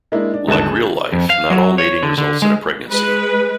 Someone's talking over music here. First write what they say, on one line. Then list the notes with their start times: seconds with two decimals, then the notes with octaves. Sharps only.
Like real life, not all mating results in a pregnancy.
0.12 G#3 A#3 D4 E4
0.34 D4
0.48 D#1 G#1 D3 A5 F#6 E7
0.66 G#4
1.13 F2
1.30 F5
1.51 F#3
1.78 C#5
2.03 D3
2.18 D3
2.42 G#3
2.88 G#3 B4